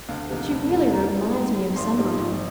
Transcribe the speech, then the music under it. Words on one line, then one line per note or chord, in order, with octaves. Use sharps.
She really reminds me of somebody.
D2 F5
C3 F3 A#3 D#4
F1
F2 D#3 G3
D#2 A#5
D#3 G3 C4 D#4
G#2
D#3 G3
G#1 C6
G#2 G3 C4 D#4
G#1